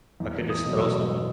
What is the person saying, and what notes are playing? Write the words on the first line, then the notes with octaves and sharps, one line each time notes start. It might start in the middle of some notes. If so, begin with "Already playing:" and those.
Hulk could just throw someone.
E2
D#6
B2 F#3
E6